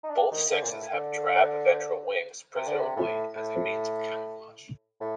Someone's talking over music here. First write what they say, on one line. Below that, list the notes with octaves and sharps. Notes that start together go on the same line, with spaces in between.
Both sexes have drab ventral wings, presumably as a means of camouflage.
D#4
D4
D#3
D3
A#2
A2
D3
C3
D3
C3
A2
A2
A2